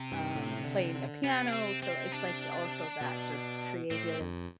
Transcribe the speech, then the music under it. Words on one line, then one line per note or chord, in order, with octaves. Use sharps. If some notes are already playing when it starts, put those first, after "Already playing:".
um, playing the piano, so it's like also that just creative
Already playing: C3
G2
A2
D3
D3
C3 B3
D4
C4
C4
D4
B2
A2 C4
F2